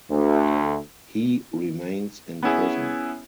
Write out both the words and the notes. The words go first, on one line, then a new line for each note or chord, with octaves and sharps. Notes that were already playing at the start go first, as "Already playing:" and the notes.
He remains in prison.
D2
B3 C#4 E4 G#4